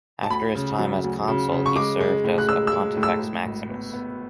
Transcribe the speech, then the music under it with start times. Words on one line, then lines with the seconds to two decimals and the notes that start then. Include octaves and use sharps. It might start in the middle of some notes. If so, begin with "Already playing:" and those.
After his time as consul, he served as a Pontifex Maximus.
0.23 A5
0.30 D2 B5
0.55 C#3
0.79 F#3
1.04 D2
1.28 C#3
1.52 C#3
1.66 C#6
1.76 G#3 D6
2.00 G#3
2.24 A2
2.38 F#6
2.48 G#3 E6
2.67 E6
2.73 G#3
2.97 A2
3.03 E6
3.22 G#3
3.46 G#1
3.69 B3
3.93 B3